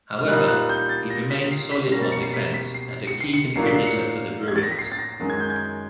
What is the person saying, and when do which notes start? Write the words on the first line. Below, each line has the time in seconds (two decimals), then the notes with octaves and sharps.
However, he remained solid on defense and a key contributor for the Bruins.
0.19 F6
0.28 A#2 G3 A#3 D#4 F#6
0.48 F#6
0.69 G6
0.89 A6
1.10 A#6
1.30 B6
1.42 B6
1.51 C7
1.71 B6
1.92 B2 G3 A#3 C#4 A#6
2.02 A6
2.12 C#7
2.23 C7
2.34 B6
2.54 B6
2.74 C7
3.07 C#7
3.21 C7
3.34 C#7
3.56 A2 F#3 A#3 D4 F4 C7
3.67 B6
3.76 C7
3.87 C#7
4.48 G#6
4.56 A6
4.63 A#6
4.71 B6
4.79 C7
4.92 A6
4.99 A#6
5.20 F#2 D#3 G#3
5.30 G#6
5.40 G6
5.50 G#6